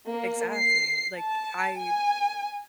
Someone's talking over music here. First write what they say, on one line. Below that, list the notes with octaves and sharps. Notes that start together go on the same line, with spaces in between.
Exactly, like, I
A#3
C7
A5
G#5